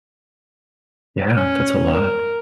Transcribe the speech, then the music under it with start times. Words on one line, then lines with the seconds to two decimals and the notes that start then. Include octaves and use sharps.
Yeah, that's a lot.
1.37 C#4
1.93 A#4